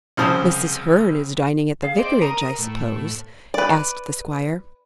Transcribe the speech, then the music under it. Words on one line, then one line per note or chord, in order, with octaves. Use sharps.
"Mrs. Hearn is dining at the vicarage, I suppose?" asked the squire.
C2 C#3 F3 C5 A5 D#6
G#4 F5
C4 D5 D#5
A#4 A#5 D#6
A2
B4 D5